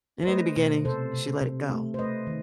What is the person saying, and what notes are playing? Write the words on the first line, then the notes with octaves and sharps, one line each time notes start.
and in the beginning, sh she let it go,
C5
A3 B4 D#5
B2
C3 A4 C5
C3
C3
A3
C5
A3 B4 D#5
D#3